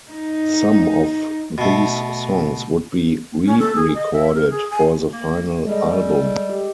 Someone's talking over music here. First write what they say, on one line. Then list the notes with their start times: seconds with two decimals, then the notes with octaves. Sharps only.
Some of these songs would be re-recorded for the final album.
0.11 D#4
1.58 B2 A3
3.46 C#4
3.59 A4
3.76 G#4
3.94 D#5
4.13 E5
4.35 A#4
4.50 G#4
4.71 G#5
5.13 A#3
5.67 G3 G#3 A4 D#5
6.50 G4